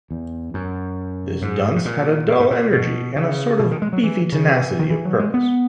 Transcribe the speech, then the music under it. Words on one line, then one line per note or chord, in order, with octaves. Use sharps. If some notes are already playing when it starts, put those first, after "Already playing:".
This dunce had a dull energy and a sort of beefy tenacity of purpose.
E2
F#2
G#2
G#2
A#2
A#2
G#2
A#2
B2
C#3
B2
D#3
G#3
F#3
E3
C#3
E3
D#3
E3
F#3
G#3
B3